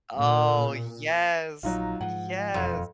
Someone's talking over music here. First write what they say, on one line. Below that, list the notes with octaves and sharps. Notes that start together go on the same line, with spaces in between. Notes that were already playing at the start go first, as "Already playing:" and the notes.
Oh, yes, yes.
A#2
A#1 F#3 D#4 F4
G#2 F3 F#5
E1 F2